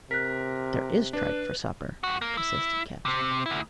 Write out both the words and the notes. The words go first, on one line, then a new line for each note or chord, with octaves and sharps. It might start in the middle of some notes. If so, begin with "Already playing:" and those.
"There is tripe for supper," persisted Ketch.
C3 A#4 F#6 B6
D4 B4
G2 F#4
A#3
E4
C3 C4
D2 E4